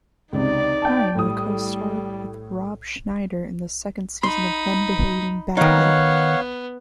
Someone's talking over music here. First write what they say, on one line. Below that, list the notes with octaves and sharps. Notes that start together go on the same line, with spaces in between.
Marino co-starred with Rob Schneider in the second season of "Men Behaving Badly".
C#2 C3 D#4 D5
G5 A5
A2 G3 D#6
D#4 B5 C6
D#3 B3 D#4 C#5 F5 F#5